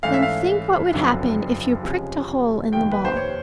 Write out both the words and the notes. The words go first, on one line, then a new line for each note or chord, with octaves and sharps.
Then think what would happen if you pricked a hole in the ball.
G#2 E3 A3 C#4 F5
E5
F5
F#1 F2 D3 F#3
C#2 C3 F3 G#3 C#4
F1 D#2 D#3 G5
B4
C5
C#5